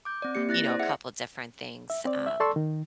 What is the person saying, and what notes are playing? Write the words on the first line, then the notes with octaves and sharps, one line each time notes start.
you know, a couple different things. Um
D6 G6
C4 D5
A#3 C4 G4 C#7
E4 F#6 A6 A#6
C5 D5
G#4 E5 F#5 C#7
E5
C4 D5
E5
A4 D5 A5 C6 C#6 E6
D#3